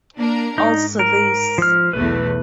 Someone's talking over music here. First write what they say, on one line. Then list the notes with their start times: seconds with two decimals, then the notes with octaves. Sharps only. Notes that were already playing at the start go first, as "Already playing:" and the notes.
Also this.
0.17 A#3 D4 A#4
0.58 G#2 D#4
0.99 A#4
1.58 F3 F6
1.93 B1 E2 A3 B4